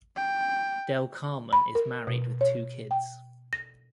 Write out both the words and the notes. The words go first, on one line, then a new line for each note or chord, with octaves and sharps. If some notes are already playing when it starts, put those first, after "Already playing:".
Del Carmen is married with two kids.
G5
B5
A#4
B2
C#5
G5
A#6